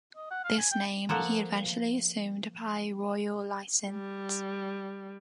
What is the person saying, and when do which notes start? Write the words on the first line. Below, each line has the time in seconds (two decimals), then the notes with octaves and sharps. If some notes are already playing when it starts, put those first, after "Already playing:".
This name he eventually assumed by royal licence.
0.16 D#5
0.31 F#5
0.44 F5
0.59 G#5
0.71 G5
1.09 F3 A#3 A4 F#5
3.90 G3